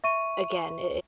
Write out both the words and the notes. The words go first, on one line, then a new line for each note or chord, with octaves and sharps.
again i i
E5 C#6 D#7